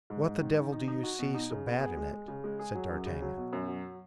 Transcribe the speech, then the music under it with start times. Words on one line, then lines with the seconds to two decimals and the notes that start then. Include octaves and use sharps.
"What the devil do you see so bad in it?" said d'Artagnan.
0.10 G#2
0.26 G#2
0.41 D#3
0.57 D#3
0.72 D#4
0.88 D#4
1.03 F#4
1.19 B2
1.34 D#4
1.50 C#3
1.66 B3
1.81 G#4
1.97 G#3
2.12 G#3
2.28 C#3
2.44 G#3
2.59 G#4
2.75 F#3
2.90 F#2
3.06 C#3
3.22 F#3
3.37 B2
3.53 F#2
3.68 F#3